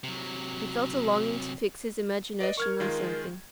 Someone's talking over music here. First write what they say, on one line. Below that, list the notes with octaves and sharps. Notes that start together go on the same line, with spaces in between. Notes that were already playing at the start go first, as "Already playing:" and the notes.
He felt a longing to fix his imagination on something.
C3 F#3
B4 D5 D#5
A#4 C#6 F6 G#6
D#3 G#3 F4